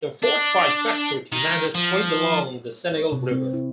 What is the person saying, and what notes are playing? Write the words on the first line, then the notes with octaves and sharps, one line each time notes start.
The fortified factory commanded trade along the Senegal River.
D4
D#3
F3
C#5
C3
C4
E4